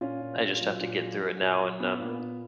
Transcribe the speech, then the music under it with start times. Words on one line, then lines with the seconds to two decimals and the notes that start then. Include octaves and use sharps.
I just have to get through it now and, um,
0.01 A#2 C#4 F4
0.21 A#2
0.41 A#2
0.61 F#3
0.81 A#2
1.00 F#3
1.20 F#3
1.40 A#2
1.60 F#3
1.80 A#2 B3
2.00 A#2 A#3
2.09 B3
2.19 A#2